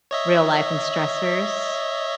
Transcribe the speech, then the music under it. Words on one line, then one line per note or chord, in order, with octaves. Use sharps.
real life and stressors.
C#5 D#5 E5